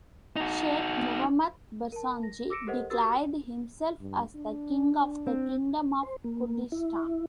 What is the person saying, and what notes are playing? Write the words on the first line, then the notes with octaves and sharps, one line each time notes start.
Sheikh Mahmud Barzanji declared himself as the King of the Kingdom of Kurdistan.
D#4 F#4
A#4 A5
A#6
D6 E6 A#6 C#7 D7 E7
G4 A4 A#4 C5 D#5 F#5
F#4 G4 A#4 D#6 E6 A6
G2
D4
C4
C5
A#3
E4